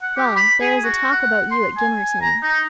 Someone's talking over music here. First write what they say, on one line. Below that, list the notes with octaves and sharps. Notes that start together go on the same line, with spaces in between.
'Well! there is a talk about you at Gimmerton.
F#5
G4
B5
G#4
F#4
F#5
C6
G#5
A#5
D#4